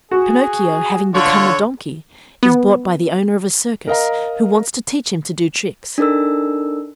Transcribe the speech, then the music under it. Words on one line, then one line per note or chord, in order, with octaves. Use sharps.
Pinocchio, having become a Donkey, is bought by the owner of a Circus, who wants to teach him to do tricks.
F#4 G#4
D3 F4 C#5
B3
A#4 D#5 F5 A#5
D4 D#4 A4 A#4 E6